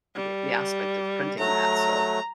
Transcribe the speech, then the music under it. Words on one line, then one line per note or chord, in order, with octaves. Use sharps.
we we aspect of printing that, so
G3
F#3 A3 A#5